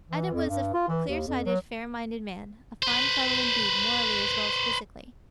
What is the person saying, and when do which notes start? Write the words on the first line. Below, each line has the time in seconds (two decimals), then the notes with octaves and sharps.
Adam was a clear-sighted, fair-minded man--a fine fellow, indeed, morally as well as physically.
0.10 E3
0.33 F2
0.49 G2
0.74 F4
0.88 E3
1.09 D#2
1.27 F2
1.46 F#3
2.83 B4 C5